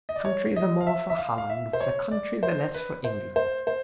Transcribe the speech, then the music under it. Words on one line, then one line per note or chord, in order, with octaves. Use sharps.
A country the more for Holland was a country the less for England.
D#5
D5
C#5
D#5
F5
E5
E5
F5
F5
E5
C5
C#5
D5
C5
B4
C5
C5
C5